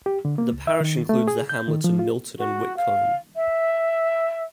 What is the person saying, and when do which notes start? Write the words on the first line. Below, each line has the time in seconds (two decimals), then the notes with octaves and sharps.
The parish includes the hamlets of Milton and Witcombe.
0.06 G4
0.25 D3
0.38 A#3
0.53 C#2
0.67 E5
0.81 D#3
1.09 A3
1.28 G#4
1.49 G6
1.68 D#3
1.84 F3
1.99 F4
2.37 F#4
2.76 F5
3.35 E5